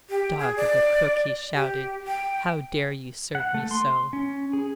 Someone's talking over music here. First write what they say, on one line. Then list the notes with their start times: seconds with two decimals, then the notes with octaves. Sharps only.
'Dog of a cook,' he shouted; 'how dare you serve me so?
0.10 G4
0.39 G#4
0.57 D5
1.54 G4
2.07 G5
3.35 F#5
3.54 A3
3.71 C6
4.13 C#4
4.53 G#4